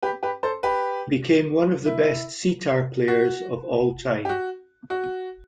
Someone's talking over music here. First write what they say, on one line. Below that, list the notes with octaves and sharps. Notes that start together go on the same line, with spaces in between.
He became one of the best setar players of all time.
G4 B4
G4 B4
A4 C5
G4 B4
E4
F#4
G4
F#4
F#4